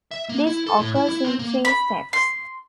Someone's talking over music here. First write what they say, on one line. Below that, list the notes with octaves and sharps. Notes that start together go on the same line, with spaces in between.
This occurs in three steps.
E5
A#3
E4
A4
A2
E4
E4
C4
A#3
B5
C6